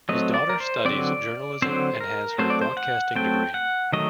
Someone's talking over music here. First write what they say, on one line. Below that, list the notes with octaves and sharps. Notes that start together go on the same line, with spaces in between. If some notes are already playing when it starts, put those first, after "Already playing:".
His daughter studies journalism and has her broadcasting degree.
F#3 A3 C4 D#5
D5
A#4
C5
D3 F#3 C4 D5
D3 F#3 C4 C5
A#4
F#3 A3 C4 C5
D5
C5
F#5
F#3 A3 C4 G5
F#5
D#3 F#3 A3 D#5